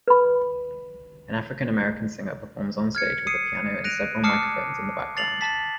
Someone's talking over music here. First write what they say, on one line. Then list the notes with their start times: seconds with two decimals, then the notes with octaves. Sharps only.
An African American singer performs on stage with a piano and several microphones in the background.
0.08 B4 B5
2.95 F6 G#6 C#7
3.27 D#6 C7 C#7 D#7
3.84 F#6 A#6 D7 D#7 F7
4.24 A5 D6 D#6 F6 C7 C#7
5.17 A6 C7 F7 F#7
5.41 A5 A6 B6